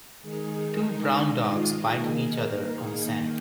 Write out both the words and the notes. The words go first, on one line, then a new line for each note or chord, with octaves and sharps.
Two brown dogs biting each other on sand.
D#3 G#3 D#4 G#4
A#4
F4
D#3 A#3 D#4 G#4
A#4
G#4